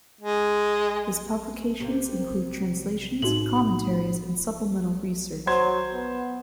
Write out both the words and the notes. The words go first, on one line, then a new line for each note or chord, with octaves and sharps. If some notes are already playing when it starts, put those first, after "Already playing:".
His publications include translations, commentaries, and supplemental research.
G#3
C3 A#3
A2 D#4 F#4 F#7
F#3 C5 C6 G#6
B3